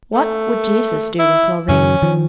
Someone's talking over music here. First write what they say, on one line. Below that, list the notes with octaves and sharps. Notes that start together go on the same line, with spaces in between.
"What would Jesus do with Loreen?"
A3
E4
F#2 C#3 F#3 C#4
D#3 F3